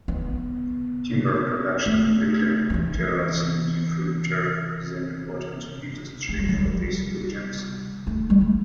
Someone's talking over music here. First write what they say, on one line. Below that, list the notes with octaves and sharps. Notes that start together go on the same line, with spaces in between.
Timber production for building materials and furniture is an important industry for these regions.
B3
A3
F#3
E3
A3
G3
F#3
G3
A3
G3
A3